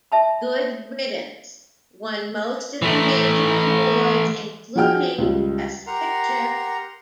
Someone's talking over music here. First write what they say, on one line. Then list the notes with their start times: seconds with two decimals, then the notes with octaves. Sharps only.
"Good Riddance" won most of the major awards, including Best Picture.
0.12 E5 A5 B5
2.82 E3 A3
4.76 F3 F#4 G#4 G5 F6
5.18 C#2 G3
5.87 G4 A#4 F#5 A#5 C6